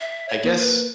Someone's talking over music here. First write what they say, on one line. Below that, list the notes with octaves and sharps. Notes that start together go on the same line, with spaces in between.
I guess
E5
C#5
A#3
B4